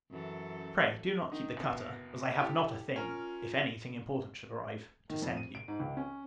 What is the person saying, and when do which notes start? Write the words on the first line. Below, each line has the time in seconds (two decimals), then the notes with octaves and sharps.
Pray, do not keep the cutter; as I have not a thing, if any thing important should arrive, to send you.
0.10 F#2 E3 A4
1.32 D#3 D#4
1.57 F#1 B2
2.38 E4 G4 A4
2.96 C#4 F4 A#4
5.10 D#3
5.22 F2
5.37 D#7
5.55 D7
5.68 G#2
5.80 C#2
5.97 C#4